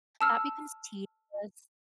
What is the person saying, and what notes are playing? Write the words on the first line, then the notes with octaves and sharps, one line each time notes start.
that becomes tedious.
A5 E6 F6